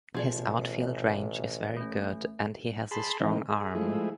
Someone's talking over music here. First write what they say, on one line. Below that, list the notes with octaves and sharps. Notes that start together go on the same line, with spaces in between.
His outfield range is very good, and he has a strong arm.
A1 B2 F3 G#4 D5
A3 C#4
G#4 A5 B5 C6
D#3 E3 G#3 C4 D#4
G#4
F3 G#3 A3 E4 G#4